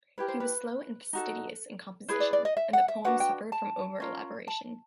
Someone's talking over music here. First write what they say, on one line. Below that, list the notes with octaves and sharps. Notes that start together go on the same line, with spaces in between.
He was slow and fastidious in composition, and the poem suffered from overelaboration.
E4 G4 A#4 B4
C5
B4
D#4 F#4 A4
E4 G#4 B4 C5
D5
D5
D#5
E5
F#5
E5
D4 F#4 B4 F#5
G5
A5
C#4 F4 A#4
A5